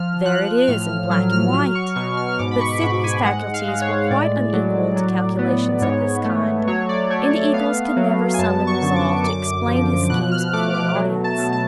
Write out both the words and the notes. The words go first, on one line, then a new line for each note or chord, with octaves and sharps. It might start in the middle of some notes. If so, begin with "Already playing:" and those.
'There it is in black and white!' But Sidney's faculties were quite unequal to calculations of this kind, and Eagles could never summon resolve to explain his schemes before an audience.
Already playing: F3 F6
F3 F#6
A2 F6
F6
F#3 F6
F6
F#3 F6
C#6
B2 C#6
F6
F6
G#2 D6
B5
C#6
G#2 B5
G#5
G#3 F#5
F5
G#3
C#5
A2 D5
F#3
F#3
B3
G#2 C#5
A3
F#3 C#5
C#5
D5
A3 C#5
C#5
B3 F5
F#3
G#5
F#2 A5
C#6
D3
D6
F#2 D6
F3
B2 F#6
F6
A3 D6
D6
F#3
A5
B2
A5